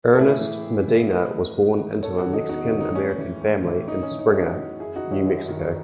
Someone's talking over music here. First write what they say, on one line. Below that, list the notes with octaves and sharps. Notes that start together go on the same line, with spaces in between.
Ernest Medina was born into a Mexican-American family in Springer, New Mexico.
A4
A2 E4 G#4
E3
A2
E3
A2 B4 D#5
E3
A2
E3
E2 A4 C#5
F#4 A4
D#3
D#4 F#4
E2 D#4 F#4
D#4
D#3
D#4
A2 C#4
E3
A2
E3
A2 D#4
C#4
E3
D#4
F#4
A2 C#4 E4
E3
F#2 E4 G#4
D#4 F#4
D#3
C#4 E4
F#2
D#3